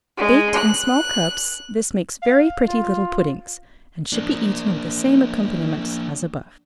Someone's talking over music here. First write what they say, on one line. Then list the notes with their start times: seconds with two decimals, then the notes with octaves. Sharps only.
Baked in small cups, this makes very pretty little puddings, and should be eaten with the same accompaniments as above.
0.17 G#3
0.54 F#6
2.23 F5
2.68 F4
4.13 A#3 D4